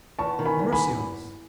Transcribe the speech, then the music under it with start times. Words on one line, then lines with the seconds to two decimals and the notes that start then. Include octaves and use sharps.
Mercy on us!
0.19 E2 A5 C#6
0.39 D#3
0.46 G#5 B5
0.59 E2
0.73 G#5 B5